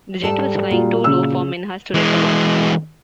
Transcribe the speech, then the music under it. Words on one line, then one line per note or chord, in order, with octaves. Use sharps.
The jet was flying too low for Minhas to recover.
G#2 G3 A4 A5
A#2 F4 F#4
C#3 E6
E3 G#3